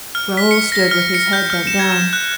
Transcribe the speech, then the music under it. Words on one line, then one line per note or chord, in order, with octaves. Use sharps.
Raoul stood with his head bent down.
F6
B6
C#7
A#6
F6
C#7
G6
F6
E7
G#6
E7
F#6